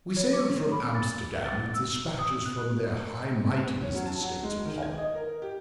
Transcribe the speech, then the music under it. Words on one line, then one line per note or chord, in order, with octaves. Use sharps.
We sailed from Amsterdam with despatches from their High Mightinesses the States of Holland.
C#5
D6
B5
A6
A6
E6
D#6
F#6
C#4
F#3
A5
F#3
G#3
D#3
G#6
D#5
A#4
G4